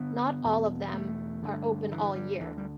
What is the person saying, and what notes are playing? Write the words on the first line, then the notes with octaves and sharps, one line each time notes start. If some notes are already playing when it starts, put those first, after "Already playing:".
Not all of them are open all year.
Already playing: G2 D3 B3
E2 B2
A3
G2 D3
E3
G3
D2 D3 E3
G3